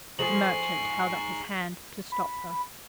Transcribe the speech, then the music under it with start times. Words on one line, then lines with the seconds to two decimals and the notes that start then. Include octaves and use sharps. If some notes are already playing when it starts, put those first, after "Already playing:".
The merchant held up his hand to stop her.
0.19 F3 G#3 D#4 G#4 C#6 C7 F#7
2.12 B5